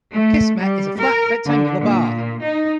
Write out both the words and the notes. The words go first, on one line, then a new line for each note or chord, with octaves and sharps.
Kismet is a flat, rectangular bar.
A3
G3
A#4
D3
A#2
D#4